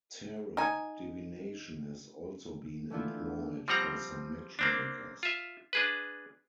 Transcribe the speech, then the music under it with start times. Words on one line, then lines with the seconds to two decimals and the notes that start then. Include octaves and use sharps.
Tarot divination has also been employed by some matchmakers.
0.57 D#4 G#5
2.90 E3 A3 B3 D4 E4 F4
3.68 F3 G3 C4 F#5 A#5
4.59 A#3 C4 D4
5.23 F4 E5
5.73 D4 G#4 B4